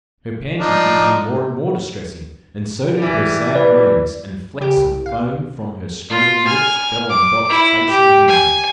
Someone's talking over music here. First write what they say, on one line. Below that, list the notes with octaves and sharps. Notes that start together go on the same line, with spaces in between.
Her panting became more and more distressing, and so did her sad moans; and flecks of foam from her straining lips fell on Dot's face and hands.
F3 D4 D#4
E3 G3
B4 D5
C#3 G4 D7
C2
F5
F4
G#5 F6
D6
E4
G4
G#5